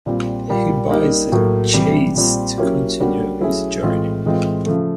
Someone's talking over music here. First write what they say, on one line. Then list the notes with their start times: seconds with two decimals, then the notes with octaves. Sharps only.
He buys a chaise to continue his journey.
0.06 A#2 G3 C4
0.48 A#2 G3 A#3
0.90 G3 A#3 D#4 G4 A#4
1.32 A2 F#3 A#3
1.74 C3 E3 G3
2.15 A#2 G3 C4
2.58 F#3 A#3 C#4 E4 G4
3.00 D3 G3 A#3 C#4 F#4
3.41 F#3 A3 C#4 E4 G#4
3.82 A2 E3 G#3 C4 F4
4.25 A2 E3 G#3 C4 F4
4.66 C#3 F3 A3